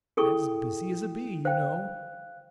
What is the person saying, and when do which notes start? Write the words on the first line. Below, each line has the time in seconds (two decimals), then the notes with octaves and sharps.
'As busy as a bee,' you know.
0.17 E4 G#4 A4 G5 C#6 D#6
1.45 C5 F5 G5 F#6